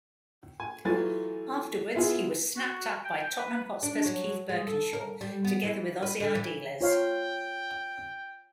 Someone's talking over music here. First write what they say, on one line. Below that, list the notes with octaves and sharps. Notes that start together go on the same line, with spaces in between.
Afterwards, he was snapped up by Tottenham Hotspur's Keith Burkinshaw together with Ossie Ardiles.
G#5
E3 F#3 A3 F4 G#5 A6
B3 E4 F4 G#4
F#4
G5
B4
D4
F#3
G#3
A4
A#4
G3
B3
E3
B4
D3
E3
F4 C#5 F5 G5